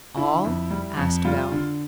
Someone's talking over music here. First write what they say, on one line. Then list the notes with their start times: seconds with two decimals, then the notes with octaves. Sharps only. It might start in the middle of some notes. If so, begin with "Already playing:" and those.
"All?" asked Bell.
0.16 D3 E4
0.45 F2
0.71 G3
0.98 F2
1.25 G3 F4
1.52 D3